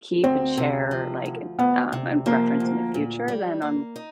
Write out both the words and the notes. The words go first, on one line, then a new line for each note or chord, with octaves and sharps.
keep and share, like, uh, and reference in the future, then, um,
D2 C4
C3
F3
D2
D2 B3
C3
F3 A#3
D2
A#2
G3
A#3
D#4